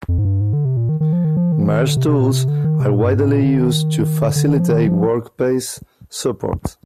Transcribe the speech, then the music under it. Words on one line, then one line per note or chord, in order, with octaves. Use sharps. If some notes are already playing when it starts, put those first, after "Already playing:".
Merge tools are widely used to facilitate workspace support.
F2
G#2
G2
G#2
D3
C3
A#2
D#3
D#3
F3
D#3
F3
D#3
F3
D#3
D3
C3
C3
A#2
C3
D3
D#3
C3
A#2
G2
G#2
A#2
D3
D#3
D3
D3
D#3
F3
D#3
F3